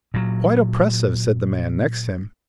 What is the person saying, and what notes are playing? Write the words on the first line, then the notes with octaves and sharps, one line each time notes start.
"Quite oppressive," said the man next him.
A#2 F#3